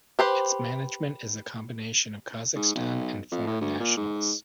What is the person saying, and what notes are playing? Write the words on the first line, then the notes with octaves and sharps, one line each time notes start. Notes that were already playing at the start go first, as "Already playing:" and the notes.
Its management is a combination of Kazakhstan and foreign nationals.
G4 B4 C5
G#2
B1
F2
A2
D2
A#2
G#2